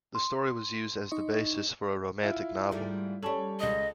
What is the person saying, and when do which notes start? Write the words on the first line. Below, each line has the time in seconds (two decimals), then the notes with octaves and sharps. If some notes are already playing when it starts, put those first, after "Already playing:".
The story was used as the basis for a romantic novel.
0.15 C6
1.11 D#4 D#5 C#6
2.23 E4 F4
2.71 G#2 G3 A3
3.23 G3 C#4 A4 C#5 A5 C#6
3.60 C#2 D#5 D#6